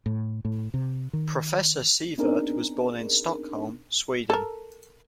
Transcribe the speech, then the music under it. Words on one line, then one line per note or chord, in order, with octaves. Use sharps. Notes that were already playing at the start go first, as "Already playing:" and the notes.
Professor Sievert was born in Stockholm, Sweden.
A2
A2
C3
D#3
B3 C4 D4 D#4 G#4 A#4
A4 A#4